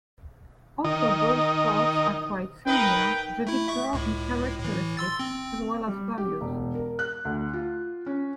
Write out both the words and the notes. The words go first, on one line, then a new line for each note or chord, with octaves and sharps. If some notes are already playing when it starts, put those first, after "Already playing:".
Although both sports are quite similar, they differ in characteristics as well as values.
D#3 D#5
D#4 A#4 B4 G5
A3 E4
E5 C#6
C#2 A2
A2 E3
C6 E6 A6
C4
G3
G4
E1
A#4
F#6
D2
F4
C#4